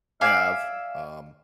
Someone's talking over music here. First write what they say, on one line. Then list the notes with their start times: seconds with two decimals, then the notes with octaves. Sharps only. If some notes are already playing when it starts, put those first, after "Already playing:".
I have, um,
0.21 D5 E5 F5 G#5